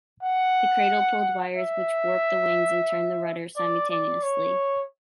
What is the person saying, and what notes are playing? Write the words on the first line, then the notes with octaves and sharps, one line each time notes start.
The cradle pulled wires which warped the wings and turned the rudder simultaneously.
F#5
E5
D5
D5
C#5